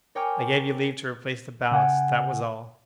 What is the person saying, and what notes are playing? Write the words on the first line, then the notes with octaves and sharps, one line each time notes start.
"I gave you leave to replace the ballast; that was all!"
A#4 C#5 G5 G#5 D6 F6
C#3 F#5 G#5